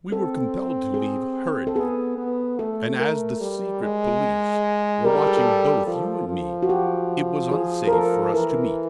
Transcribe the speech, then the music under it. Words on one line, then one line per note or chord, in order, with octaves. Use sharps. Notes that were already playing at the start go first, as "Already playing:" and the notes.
We were compelled to leave hurriedly, and as the Secret Police were watching both you and me it was unsafe for us to meet.
C4 A4
G#4
A4
B3 G#4
B3
A3 A4
A#4
G3
G#3
G3 A#4
A4
G#4
A4
F3 A4
F3
F#4
G4
G#4
A#4
A4
E3 A#4